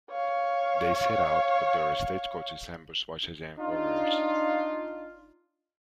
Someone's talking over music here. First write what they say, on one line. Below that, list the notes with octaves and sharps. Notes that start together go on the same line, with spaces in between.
They set out, but their stagecoach is ambushed by Cheyenne warriors.
C#5 F5
D4 D#4 F4